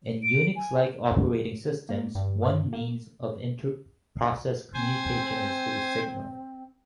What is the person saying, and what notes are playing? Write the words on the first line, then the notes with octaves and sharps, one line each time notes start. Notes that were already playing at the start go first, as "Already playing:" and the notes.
In Unix-like operating systems, one means of inter-process communication is through signals.
D7
G#5
A#3
G2
A#3
C4 C5 G#5